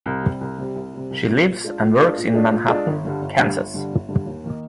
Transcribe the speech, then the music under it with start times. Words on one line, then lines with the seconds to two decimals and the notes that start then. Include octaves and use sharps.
She lives and works in Manhattan, Kansas.
0.06 C2
0.23 C3 G3
0.41 C2
0.59 C3 G3
0.76 C2
0.94 C3 G3
1.11 C2
1.28 C3 G3
1.46 A#2
1.64 G#3 D4 F4
1.81 A#2
1.99 G#3 D4 F4
2.17 A#2
2.34 G#3 D4 F4
2.51 A#2
2.69 G#3 D4 F4
2.86 G1
3.04 G2 D3 G3
3.21 G1
3.39 G2 D3 G3
3.57 G1
3.74 G2 D3 G3
3.91 G1
4.08 G2 D3 G3
4.26 D#2
4.44 D#3 A#3 D#4